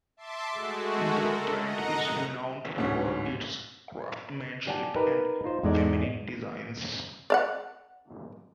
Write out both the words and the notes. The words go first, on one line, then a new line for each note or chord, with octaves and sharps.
The brand is renowned for its craftsmanship and feminine designs.
E5 A5 C6 D6
G#3 A3 F#4
A4 A#4
D#5 F#5 A#5
D1 D2 G#2 C#4 F#4
G4 D5 F#5 G#5 A5
D#4 G4 A#4 B4
D#4 F4 C5
E2 G#2 G#3 A3 D#4 D5
D5 F5 F#5